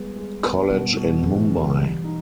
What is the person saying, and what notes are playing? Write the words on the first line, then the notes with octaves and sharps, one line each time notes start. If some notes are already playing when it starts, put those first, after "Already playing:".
College in Mumbai.
Already playing: G3 G#3 B3
G#3
B3
B2 G3
B2
E3 G#3
G#3
G3
D#4